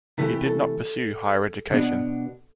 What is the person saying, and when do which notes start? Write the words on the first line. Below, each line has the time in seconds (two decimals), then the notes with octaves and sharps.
He did not pursue higher education.
0.18 C3 E3 A3 E4 A4
0.32 G4
0.45 A4
1.71 B2 B3 D4